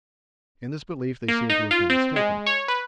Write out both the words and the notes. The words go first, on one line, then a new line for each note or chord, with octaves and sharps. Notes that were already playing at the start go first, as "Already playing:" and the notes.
In this belief they seem to have been mistaken.
A#3
D#4
F4
C4
G#3
C#5
B4